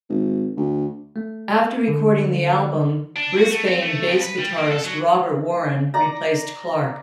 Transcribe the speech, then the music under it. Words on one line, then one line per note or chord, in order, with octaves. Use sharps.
After recording the album, Brisbane bass guitarist Robert Warren replaced Clark.
G#1
D2
A3
D3
D4
F#4
A3
C4
A3
F2
B4
G3
A#3
A4
F#3
D5 A#5